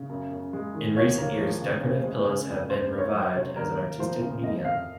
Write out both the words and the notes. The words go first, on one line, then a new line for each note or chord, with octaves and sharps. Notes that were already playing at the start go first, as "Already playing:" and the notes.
In recent years, decorative pillows have been revived as an artistic medium.
Already playing: C#3
F#2
F#2
G#3
D#3
D#2 C#5
A#3
F3
C#3
F#1
G#3
C#3
F2
C#2 C5
A#3
C#5
F#3
C3
D#2 A#4
A#3
F3 C5
C#3
F2 D#5
F2 F5